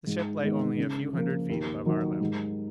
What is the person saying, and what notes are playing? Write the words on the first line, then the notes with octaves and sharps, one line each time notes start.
The ship lay only a few hundred feet above our level.
G#2
D#3 G#3 B3
C#3
F3 A#3
D#2
D#3 F#3
G#2